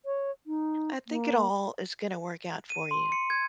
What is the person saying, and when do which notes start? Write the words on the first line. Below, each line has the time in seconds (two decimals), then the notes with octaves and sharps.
I think it all is gonna work out for you.
0.05 C#5
0.46 D#4
1.07 A#3
2.70 D#7
2.91 C6
3.12 C#7
3.30 G#6